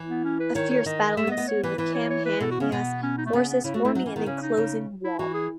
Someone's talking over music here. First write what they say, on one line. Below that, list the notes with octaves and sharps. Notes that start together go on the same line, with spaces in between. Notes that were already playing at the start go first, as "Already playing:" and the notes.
A fierce battle ensued, with Kamehameha's forces forming an enclosing wall.
Already playing: E3
B3
C#4
B4
D#3 C#5
C#5
D#3 D#5
A3 E5
B3
D#5
B3
C#5
E3 B4
E3 B4
C#5
C#5
B4
B2 A4
F#4
C#3 C#4
B2 B3
C#4
D#4
A3
C#3 B3
B3
C#3 E4
A3 F#4
A3 E4
F#3 D#4
E3 C#4
D#3 B3
C#3 C#4
D#4
C#3
E4
E3 F#4
G#4